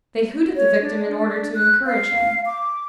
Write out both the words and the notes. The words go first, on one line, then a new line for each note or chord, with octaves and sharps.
They hoot at the victim in order to encourage him.
C#5
D4
D4
F#6
F5
D6